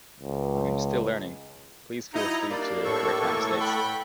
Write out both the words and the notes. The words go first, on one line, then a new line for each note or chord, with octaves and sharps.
I'm still learning; please feel free to correct my mistakes.
C#2
F3 D#4 E4 F#4 D#5 A#5
G3 A#3 D4 D5
A2 A4 C#6
B2 E3 A#3
F#5 G5 B5